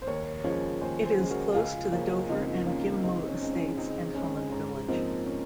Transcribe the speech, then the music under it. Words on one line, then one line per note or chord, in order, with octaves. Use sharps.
It is close to the Dover and Ghim Moh estates, and Holland Village.
C5
D#2 A#4 C#5
C#3 F3 G#3 A#4 C#5
D#2 G#4 C5
G#4 C5
C#3 F3 G#3
F#4 A#4
C#2 F4 G#4
C#3 F3 A#3 C#4
C#2 C4 D#4
C#3 F3 A#3 C#4 F4
C#2 C4 D#4
C#4
C#3 G#3 C4
C#4
C#2 C4 D#4
C#3 G#3 C4 C#4
G#2 C#4
F3 A#3 C4 D#4
C#4